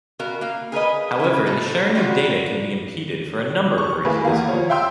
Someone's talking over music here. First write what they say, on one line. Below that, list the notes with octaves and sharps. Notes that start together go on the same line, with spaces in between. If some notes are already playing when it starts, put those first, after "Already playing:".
However the sharing of data can be impeded for a number of reasons.
B2 F#4 A#4 F5
A#3 F5
G#4 A#4 B4 D#5
C#3 E4
B2 F#4 A4 A#5
F#3 G3 F4 F#4
C#6
A3 A#3 E4 G#4 B4
E2 A#3 F5
F3 C#5
E5 F5 G5 C6 E6